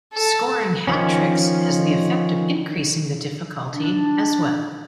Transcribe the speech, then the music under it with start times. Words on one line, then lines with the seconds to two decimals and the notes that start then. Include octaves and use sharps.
Scoring hat tricks has the effect of increasing the difficulty as well.
0.14 A4
0.87 D#3 F3 C#4
3.72 D4